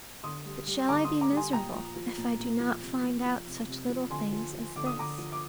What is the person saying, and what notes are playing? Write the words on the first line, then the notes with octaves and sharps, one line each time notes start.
But shall I be miserable if I do not find out such little things as this.
D3 C6 D#6
G3
G3
D3 A#5 D6
C6 D#6
D3
A#5 D6
G3
G#5 C6
A#2 G5 A#5
F3
F3
A#2
A#2
F3
C3
F3
F3
C3
C3
F3
D3 G#5 C6
F3
F3
D3 D6
D#6
D3 A#5 D6
F3
D6